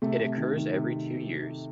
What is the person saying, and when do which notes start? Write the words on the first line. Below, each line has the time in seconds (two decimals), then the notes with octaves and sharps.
It occurs every two years.
0.02 C3 A3
0.20 C3
0.38 D#3
0.57 D#3
0.73 C3